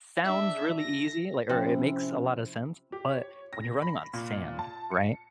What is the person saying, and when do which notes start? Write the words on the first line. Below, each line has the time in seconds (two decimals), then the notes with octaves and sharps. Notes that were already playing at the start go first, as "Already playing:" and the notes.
sounds really easy, like, or it makes a lot of sense, but when you're running on sand, right,
0.24 D4 E5
0.80 A#6
1.49 C3 F3 C#4 E4 G4 C5 G5
2.92 G4
3.10 C#5
3.53 A#6
3.82 B5
4.13 A#2
4.59 A5
4.91 C#7